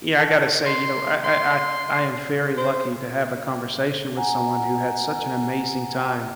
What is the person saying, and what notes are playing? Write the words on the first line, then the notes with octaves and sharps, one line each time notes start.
yeah, I gotta say, you know, I I I I am very lucky to have a conversation with someone who had such an amazing time
A4
C6
C6
C5
F#5 G#5 A#5